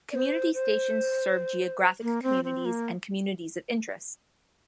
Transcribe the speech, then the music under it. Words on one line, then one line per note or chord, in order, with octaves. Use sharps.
Community stations serve geographic communities and communities of interest.
D5
C5
C5
A#3
C4
C4
A#3